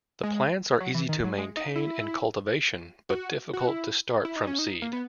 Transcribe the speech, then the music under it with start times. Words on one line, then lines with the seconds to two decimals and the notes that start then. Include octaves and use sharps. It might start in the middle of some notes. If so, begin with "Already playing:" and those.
The plants are easy to maintain in cultivation but difficult to start from seed.
0.23 G#3
0.80 F#3
0.94 E3
1.09 D#3
1.24 F#3
1.38 G#3
1.57 D#4
1.76 E4
3.10 F#4
3.53 F#4
3.67 E4
4.25 E4
4.36 D#4
4.47 C#4
4.59 D#4
4.82 A#3
4.93 B3